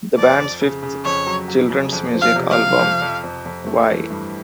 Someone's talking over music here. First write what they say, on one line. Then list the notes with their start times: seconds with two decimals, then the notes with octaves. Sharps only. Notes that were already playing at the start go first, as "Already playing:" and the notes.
The band's fifth children's music album, Why?
0.18 F2 D5
0.40 F2
0.61 C#3
0.83 C#3
1.05 F2 C#5
1.27 F#3
1.48 F#3
1.70 C#3
1.93 F2
2.14 F3
2.21 F5
2.36 C3
2.50 F5
2.58 C3
2.79 F2
3.02 F2
3.24 F2
3.46 F2
3.66 A3
3.89 E3
4.10 G2